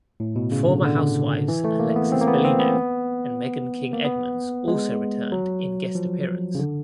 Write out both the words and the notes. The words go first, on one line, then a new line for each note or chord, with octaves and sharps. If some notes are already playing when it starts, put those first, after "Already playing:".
Former housewives Alexis Bellino and Meghan King Edmonds also returned in guest appearance.
A2
B2
C#3
D3
D3
E3
A3
A#3
B3
C4
A#3
B3
C4
B3
A#3
B3
G#3
F#3
F3
C#3
D3